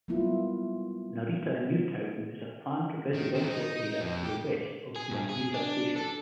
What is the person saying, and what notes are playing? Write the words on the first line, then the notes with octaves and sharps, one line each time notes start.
Narita New Town is a planned residential area to the west of Narita Station.
F#3 G3 A#3 B3 E4 F4
D#3
D#3 C4
D#4
F2
G4
G#4
G2
G#4
D4
A4